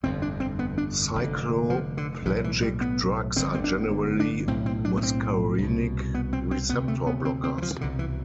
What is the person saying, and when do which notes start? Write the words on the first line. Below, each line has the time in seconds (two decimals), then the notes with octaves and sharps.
Cycloplegic drugs are generally muscarinic receptor blockers.
0.03 G1 F2 C3 C4
0.22 D4
0.40 C4
0.59 B3
0.78 D4
1.15 F1 F2 D3
1.70 F3
1.97 D3
2.25 B1 A2 E3
2.44 E3
2.62 G3
2.81 B3
3.36 G1 G2 D3 C4
3.54 C4
3.64 D4
4.20 D4
4.48 B1 A2 C4
4.66 C4
4.85 D4
4.97 B3
5.03 C4
5.58 C2 B2
6.14 B3
6.33 C4
6.51 C4
6.69 D2 B3
6.73 C3
6.88 A3
7.07 B3
7.25 C4
7.44 C4
7.58 E3
7.62 F3
7.81 C2 B2 D3
7.99 E3